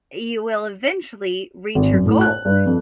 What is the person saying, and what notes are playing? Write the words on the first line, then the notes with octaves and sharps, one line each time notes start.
you will eventually reach your goal,
G#1
F#2
A2
F#6
G2
F2